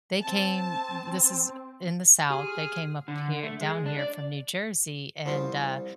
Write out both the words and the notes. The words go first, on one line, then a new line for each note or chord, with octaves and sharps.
they came this is in the South, they came up here down here from New Jersey, and, uh,
C4 A5
G4 G#4 G#5 C6 F6
D3
A3
G#3
D4
D5
C2 F3 F4